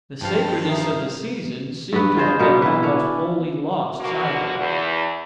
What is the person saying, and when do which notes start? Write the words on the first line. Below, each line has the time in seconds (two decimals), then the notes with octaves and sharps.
The sacredness of the season seemed to have been almost wholly lost sight of.
0.21 G2 F3 F5 G5 A5
0.69 E5 A#5 D#6
1.93 G2 B3 B4
2.17 F4 G#4 C5 D#5
2.39 B2 A#3 B3 A#4
2.62 E4 B4
2.83 C#4 D4
3.99 B2 D3 F3 A#3 F#4
4.58 E2